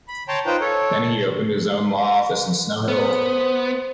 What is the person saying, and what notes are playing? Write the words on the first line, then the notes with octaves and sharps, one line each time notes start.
Then he opened his own law office in Snow Hill.
B5
C#5 G5 A5 A#5 C6
D#4 F4 B4 C5 G5
A4 C#5
A5
B3 C5